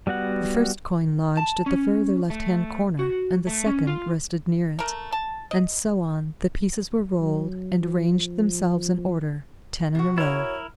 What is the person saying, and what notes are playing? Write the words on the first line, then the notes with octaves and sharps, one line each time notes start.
The first coin lodged at the further left-hand corner and the second rested near it; and so on, the pieces were rolled, and ranged themselves in order, ten in a row.
G3 B3 F#4 F#5
A5
C#4
A3
F#4
A3
C#4
F4
A3 A#4
A5
D#5
F#3
F3
C3 F#4
E4 A#4 C#5